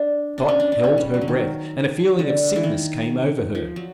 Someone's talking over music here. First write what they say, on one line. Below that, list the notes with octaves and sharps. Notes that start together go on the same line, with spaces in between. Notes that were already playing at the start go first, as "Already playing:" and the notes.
Dot held her breath, and a feeling of sickness came over her.
Already playing: D4
D4
C#4
D4
D4
C#4
G3
F#3
D3
D#3
D3
E3
D#3
F3
F#3